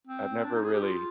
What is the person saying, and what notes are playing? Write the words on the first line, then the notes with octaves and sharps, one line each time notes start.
I've never really
C4
D4
D#4
G#4
G4
F4